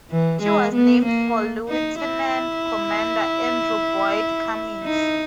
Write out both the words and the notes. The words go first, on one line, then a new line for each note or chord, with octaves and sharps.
She was named for Lieutenant Commander Andrew Boyd Cummings.
E3
G#3
B3
A#3
D#4
E4
D#4